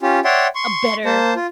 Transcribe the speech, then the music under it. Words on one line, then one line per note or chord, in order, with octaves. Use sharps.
a better
C#4 F4 G4
C#5 D5 E5 F#5 G5 C6
C6 C#6
A#3 C5 A5
F4